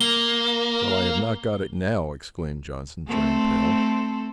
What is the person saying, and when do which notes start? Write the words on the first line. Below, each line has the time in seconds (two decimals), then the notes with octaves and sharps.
"Well, I have not got it now!" exclaimed Johnson, turning pale.
0.01 A#3 G7
3.09 A3 C4 A4